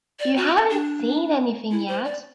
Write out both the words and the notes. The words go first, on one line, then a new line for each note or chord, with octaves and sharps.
You haven't seen anything yet.
D5
F#4
D4
E4
C5
D5